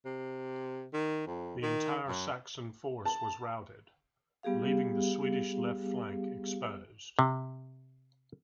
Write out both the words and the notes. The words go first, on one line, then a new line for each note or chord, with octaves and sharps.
The entire Saxon force was routed, leaving the Swedish left flank exposed.
C3
D#3
F2
D#3
F#2
A5
G3 B3 G4 G#4 F5
C3